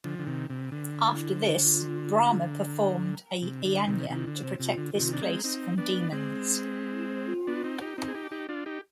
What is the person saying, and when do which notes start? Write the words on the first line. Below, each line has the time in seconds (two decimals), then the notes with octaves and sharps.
After this Brahma performed a yagna to protect this place from demons.
0.04 D3 F3
0.19 D3
0.27 C3 D#3
0.50 C3
0.72 D3
3.42 C3
3.65 D3
3.87 C3 D#3
4.10 C3 D#3
4.27 D3
4.43 C3
4.60 C3
4.77 D3
4.95 D3
5.00 C3 D#3
5.13 D4
5.21 G#3 C4
5.44 C4 D#4
5.78 B3 D4
6.12 G#3 C4
7.47 B3 D4
7.63 C4 D#4
7.81 D#4 G4
7.98 C4 D#4
8.08 G#4
8.14 D#4 G4
8.31 D#4 G4
8.49 D4 F4
8.66 D#4 G4